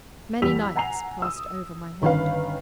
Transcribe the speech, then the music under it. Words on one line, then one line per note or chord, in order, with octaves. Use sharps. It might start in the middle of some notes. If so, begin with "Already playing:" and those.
Many nights passed over my head.
E2 G3 E6 B6 F7
F#5 G#5 A#5 C7 F7
D#6 E6
G1 D#3 C#4 B4 F5